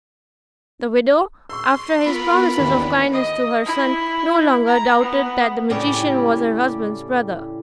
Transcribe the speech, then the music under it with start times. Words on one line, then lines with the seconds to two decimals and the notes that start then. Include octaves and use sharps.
The widow, after his promises of kindness to her son, no longer doubted that the magician was her husband's brother.
1.49 C6 C#6 E6
2.06 B3 F4 A#4 B5
2.57 D#2 E3 B3 D4
3.13 D#5
3.66 E4
4.66 A#5
5.00 B3
5.70 A2 C#3 G3 G4